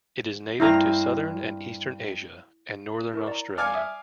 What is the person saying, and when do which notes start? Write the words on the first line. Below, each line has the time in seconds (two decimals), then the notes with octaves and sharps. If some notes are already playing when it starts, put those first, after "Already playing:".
It is native to southern and eastern Asia and northern Australia.
0.60 G2 A#3 C4 E4 A#5
3.14 E4 A#4 C#6
3.27 D5 A#5
3.58 D5 F5 G#5 A5 C#7
3.74 E5 D#6